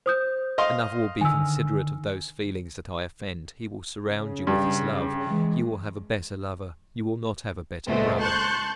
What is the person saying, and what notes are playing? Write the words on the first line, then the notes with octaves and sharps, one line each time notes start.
Another will be considerate of those feelings that I offend, he will surround you with his love; you will have a better lover, you will not have a better brother.
C5 D#6 G6
D#5 F5 C6
D3 D#3 G#5 E6
C#3
G2
E3 G#3
C#2 A#2 G#3 A3 B3 C5
A5 C6 C#6 F#6 G6